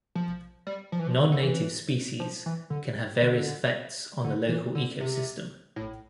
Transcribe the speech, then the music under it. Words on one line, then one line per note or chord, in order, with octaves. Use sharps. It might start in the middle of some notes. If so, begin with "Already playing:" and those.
Non-native species can have various effects on the local ecosystem.
F3
G3
F3
E3
F3
D3
D3
E3
F3
E3
D3
D3
D3
E3
D3
C3
A2